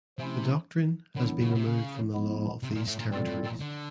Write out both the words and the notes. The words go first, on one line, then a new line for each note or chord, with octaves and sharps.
The doctrine has been removed from the law of these territories.
C3 F3 A3 C#4 E4
D3 D#3 F#3 B3 E4
C#3
C3
C#3
A2 F3 G#3 B3 E4
C3
A#2
A2
A#2
B2 G3 C4 F4 A4 D5
A2
A#2
D3